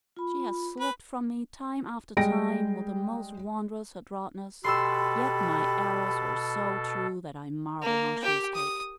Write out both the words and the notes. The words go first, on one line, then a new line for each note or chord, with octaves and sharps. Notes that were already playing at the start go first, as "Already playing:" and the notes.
She has slipped from me time after time with the most wondrous adroitness; yet my arrows were so true that I marvel how she escaped.
F4 B5
B4
G3 G#3 G5 A#6 D7
B2 G4 A4 B5 C6 E6
A#3
G4 G5
D#6